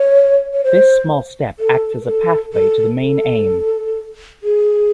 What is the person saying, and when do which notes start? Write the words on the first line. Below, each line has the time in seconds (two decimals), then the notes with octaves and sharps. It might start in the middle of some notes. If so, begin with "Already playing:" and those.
This small step acts as a path way to the main aim.
Already playing: C#5
0.53 C#5
0.64 C5
1.59 A4
2.02 A#4
2.06 A4
2.53 A4
3.01 A4
4.43 G#4